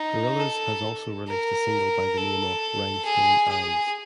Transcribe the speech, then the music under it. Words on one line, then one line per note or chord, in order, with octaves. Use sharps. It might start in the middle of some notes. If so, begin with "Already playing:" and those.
Gorillaz has also released a single by the name of "Rhinestone Eyes".
Already playing: D#4
A4
A#4
A4
G#4
G#4